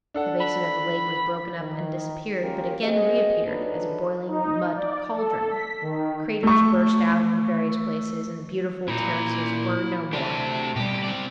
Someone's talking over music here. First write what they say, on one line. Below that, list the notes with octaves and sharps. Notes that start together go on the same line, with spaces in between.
The basin of the lake was broken up and disappeared, but again reappeared as a boiling mud cauldron; craters burst out in various places, and the beautiful terraces were no more.
D4 A4 F#5
B5
D#3
D#2 C#4 F4 G4 A#4
C4 F#4 G#4 D#5
F#3 D4 D#4 F4 A4 B4
D#4
D5
A4
B6
D#3
A3 C#6
A#2 E4 A#5
A3 D4 G4 C5
B2 G3 G4
C4 D5